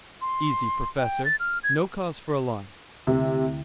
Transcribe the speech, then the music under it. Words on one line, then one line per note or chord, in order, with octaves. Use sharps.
"Easy, professor, no cause for alarm."
C6
G5
A6
F6
G#6
D2 C3 E4